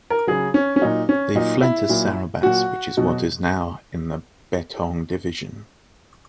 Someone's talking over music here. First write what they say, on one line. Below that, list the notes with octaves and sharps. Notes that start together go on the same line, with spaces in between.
They fled to Saribas which is what is now in the Betong Division.
A#4
C#3 F#3 G#4
C#4
C#4
A#2 F#3 D#4
C#4
A#2 F#3 D#4
E4
A#2 F#3
A#2 F#3 F#4
B2 F#3